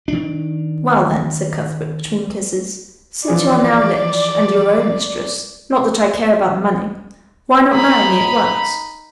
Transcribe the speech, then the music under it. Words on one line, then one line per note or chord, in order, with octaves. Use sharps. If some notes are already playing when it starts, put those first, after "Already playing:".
"Well, then," said Cuthbert, between kisses, "since you are now rich and your own mistress--not that I care about the money--why not marry me at once?"
D#3 D4
E3 F3 G#4 D5
D#4 B5